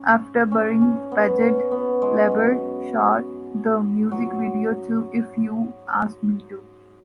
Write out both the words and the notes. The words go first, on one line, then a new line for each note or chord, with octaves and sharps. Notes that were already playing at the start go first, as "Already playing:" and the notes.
After burying Padgett, LaBelle shot the music video to "If You Asked Me To".
Already playing: C#4
C#4
C#4
B3
C#4
B3
G#3
F#3
F#3